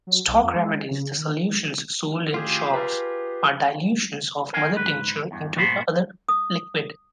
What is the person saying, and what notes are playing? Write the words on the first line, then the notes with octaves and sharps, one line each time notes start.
Stock remedies-the solutions sold in shops-are dilutions of mother tincture into other liquid.
F#3
B1
F2
G#3
C#3
D#3
A2 C3 D#3 F4 G4 G#4
B4 A5
A#4 F5 G#5
G#2 B4
E2 G2
G2 A#2 A3 B3 C5 B5
D#6